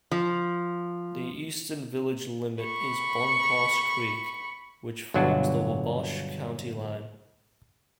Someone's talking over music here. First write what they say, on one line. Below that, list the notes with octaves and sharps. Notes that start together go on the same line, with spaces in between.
The eastern village limit is Bonpas Creek, which forms the Wabash County line.
F3
B5 C#6
G1 B2 F#3 D4